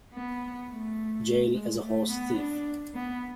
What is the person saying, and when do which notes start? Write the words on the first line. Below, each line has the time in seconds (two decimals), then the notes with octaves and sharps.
Jail as a horse thief.
0.14 B3
0.70 A3
1.54 G#3
1.82 A3
2.10 B3
2.37 D4
2.94 B3